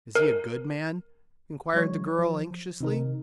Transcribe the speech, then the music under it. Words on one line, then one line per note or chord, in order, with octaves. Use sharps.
"Is he a good man?" inquired the girl anxiously.
A#4
E3 F#3 G#3 C#5
F3
C3 D#3 D#4 A#4